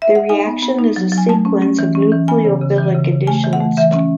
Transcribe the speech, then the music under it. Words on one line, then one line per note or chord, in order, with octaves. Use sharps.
The reaction is a sequence of nucleophilic additions.
E5
F#5
D#4 G#5
B3
B3
D#4
F#3
F#3
G#5
A3 A5
C#4
C#4
E3
C#4
E3
B3 G#5
C#3
C#3
E3
C#3
C#3
A3 G#5
E3
F#5
A3
E3 E5
C#4